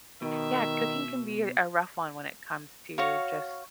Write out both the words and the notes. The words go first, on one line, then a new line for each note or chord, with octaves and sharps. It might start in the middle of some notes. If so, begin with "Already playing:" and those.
yeah, cooking can be a rough one when it comes to just,
B2 D#3 E5
F#4 C#5 F5